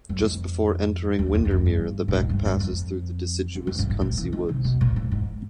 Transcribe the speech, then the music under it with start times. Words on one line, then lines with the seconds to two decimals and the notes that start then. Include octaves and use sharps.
Just before entering Windermere the beck passes through the deciduous Cunsey Wood.
0.09 F#2
0.24 F2
1.19 E2
1.35 E2
1.45 E2
1.51 F2
1.66 G2
2.08 A2
2.14 G#2
2.30 G2
2.45 G2
2.60 F2
3.55 E2
3.67 F2
3.79 G2
3.90 G#2
4.01 A#2
4.18 E3
4.33 D#3
4.49 C3
4.64 B2
4.81 A#2
4.96 A2
5.12 G#2